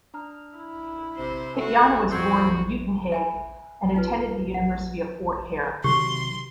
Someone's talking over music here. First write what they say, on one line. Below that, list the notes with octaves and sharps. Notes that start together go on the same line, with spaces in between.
Pityana was born in Uitenhage and attended the University of Fort Hare.
D4 A#5 F6
E4
C3 C5
F#4 A4 E5 C7
F2 G3 C4 F#4 C6 G6 G#6
E5 G#5 B5
D#4 F4 B4
F#5
C3 D#3 F#3 G4 C6